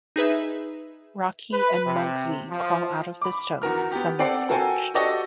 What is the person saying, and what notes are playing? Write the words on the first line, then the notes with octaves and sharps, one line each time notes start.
Rocky and Mugsy crawl out of the stove, somewhat scorched.
D#4 G#4 B4 E5
B4
C3
F3
B5 D6
E2 F#4 A#4 F6
B3 G4
C4 A4 D5 F#5 G5 C7
F#4 A4 A#4 G5 G#5
F#4 G4 A4 D5 D#5 C#6